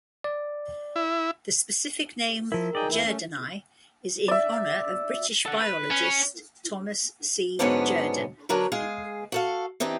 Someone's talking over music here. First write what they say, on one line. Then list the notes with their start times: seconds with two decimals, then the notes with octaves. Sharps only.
The specific name, "jerdoni", is in honor of British biologist Thomas C. Jerdon.
0.24 D5
0.96 E4
2.52 F3 E4 A#4
2.75 D#4 G#4 D5 D#5 G5
2.89 E2 E3 A3 E4
3.05 C#4
4.28 D5 E5
5.46 A4 F#5
5.60 B4
5.91 C#4
7.59 G#2 D3 F#3 B3 C#4 D4
8.49 D3 F#3 D4 A#4 B4
8.72 G#3 G#4 F5
9.32 F#4 A4 F5
9.80 E3 C4 D4 D#4 G4